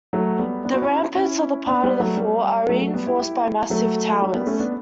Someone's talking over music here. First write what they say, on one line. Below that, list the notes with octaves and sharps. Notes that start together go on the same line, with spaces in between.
The ramparts of this part of the fort are reinforced by massive towers.
F#3 A3
G3 B3
B3 D4
F#4
C#4 E4
C#4 E4
B3 D4
G3 B3
F#3 A3
G3
F#3 A3
F#3 A3
G3 B3
E4 G4
E4 G4
F#3 A3
G3
G3 B3
A3 C#4
B3 D4